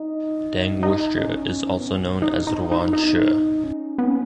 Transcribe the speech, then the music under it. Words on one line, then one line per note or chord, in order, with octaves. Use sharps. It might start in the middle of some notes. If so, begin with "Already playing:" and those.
Deng wuxie is also known as Ruan Xie.
Already playing: D#4
D#4
C#4
B3
C#4
D#4
D#4
D#4
D#4
C#4
B3
C#4